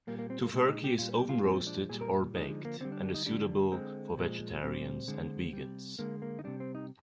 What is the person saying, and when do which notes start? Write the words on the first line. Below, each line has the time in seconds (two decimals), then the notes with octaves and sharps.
Tofurkey is oven-roasted or baked and is suitable for vegetarians and vegans.
0.07 A#2 G3 A#3
0.19 A#3
0.30 C4
0.42 A#3
0.53 A#2 G#3
0.68 D#4
0.84 G4
0.98 A#2 G3 F4
1.14 G4
1.29 F4
1.44 A#2 F3 G#3 C4
1.67 D4
1.89 A#2 G3 G#4
2.01 A#4
2.35 D3 F3 G#3 D#4
2.50 D#4
2.65 A#3
2.80 D3 C4
2.85 G3
2.92 D4
3.03 D4
3.14 D#4
3.26 D3 G3 D4
3.71 D3 G#3 C4
4.17 A#2 F3 G#3
4.62 A#2 G3 C4
5.08 D3 G#3
5.53 C3 G3
5.99 D3 G#3 A#3
6.22 A#3
6.39 D#4
6.44 C3 G3 D4
6.60 C4
6.75 D#4